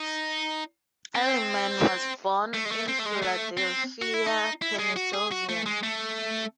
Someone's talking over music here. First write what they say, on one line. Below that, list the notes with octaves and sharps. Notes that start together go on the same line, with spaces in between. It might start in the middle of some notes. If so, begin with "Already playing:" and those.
Adleman was born in Philadelphia, Pennsylvania.
Already playing: D#4
C4
A3
G#3
A3
C4
A3
G#3
A3
C4
F#4
E4
D#4
E4
G#3
F#4
G#4
F#4
A3
G#3
A3